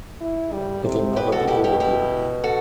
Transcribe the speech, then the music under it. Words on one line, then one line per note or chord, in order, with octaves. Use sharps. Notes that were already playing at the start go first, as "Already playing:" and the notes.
It'll never be over here.
E4
G3
C3
B2 G4 B4
F#4 A4
E4 G4
E4 G4
E4 G4
F#4 A4